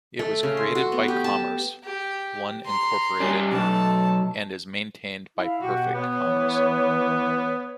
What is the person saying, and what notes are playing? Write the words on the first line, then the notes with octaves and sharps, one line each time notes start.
It was created by Commerce One Incorporated and is maintained by Perfect Commerce.
A3
C#3
C6
F#4
B3
G4
A5
G4
A#5 C6
G3 C#4
B1 A3 A5
E4 F5
B2 F#4 G4 F#5
B3 C#5
E3